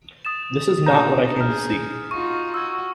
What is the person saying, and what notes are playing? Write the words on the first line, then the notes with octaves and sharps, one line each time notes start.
This is not what I came to see.
D#6 A6 E7
A#2 D4 D#4 A#5 G6
G#4 F6
D#4 F4 F#4 C#6
F#4 E6 G#6